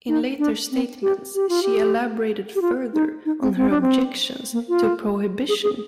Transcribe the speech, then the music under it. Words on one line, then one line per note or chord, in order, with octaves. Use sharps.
In later statements, she elaborated further on her objections to prohibition.
D#4
D4
C4
G4
G4
F4
G4
G4
F4
D#4
D#4
C4
C4
D4
C4
A#3
F4
G#4
G#4